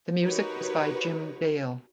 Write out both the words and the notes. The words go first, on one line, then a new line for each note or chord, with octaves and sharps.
The music was by Jim Dale.
D#4 F#4 G4 A#4 B4 C#5